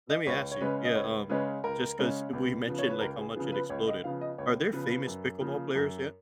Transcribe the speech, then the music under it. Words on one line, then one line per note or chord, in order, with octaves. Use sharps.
let me ask you yeah, um, just 'cause we mentioned, like, how much it exploded. Are there famous pickleball players yet?
D#5
C#2 C#5
C#5
C#3 G#3 C#4 B4
D#5
C#2 C#5
C#3 G#3 C#4 B4
C#2 A#4
C#3 G#3 C#4
C#2
C#3 F3 B3
C#5
B4
C#2 A#4
G#4
C#3 F3 B3 G#4
B4
C#2 C#5
D#5
C#3 F3 B3 F5
D#5
C#2 C#5
C#3 F3 B3 B4
F#2
C#3 F3 A#3
F#2